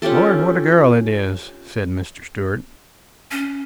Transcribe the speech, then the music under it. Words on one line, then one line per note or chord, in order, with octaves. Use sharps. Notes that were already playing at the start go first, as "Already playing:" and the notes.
"Lord! what a girl it is!" said Mrs. Stuart.
C#4 F4 G4 A4
C#4